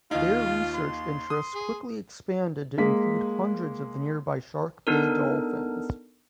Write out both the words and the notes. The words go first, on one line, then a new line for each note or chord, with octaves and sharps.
Their research interests quickly expanded to include hundreds of the nearby Shark Bay dolphins.
D#2 D#4 F4 F5
C6
D#6
G#4
G#3 A#3 B6
B3 D4 D#4 A4 A#4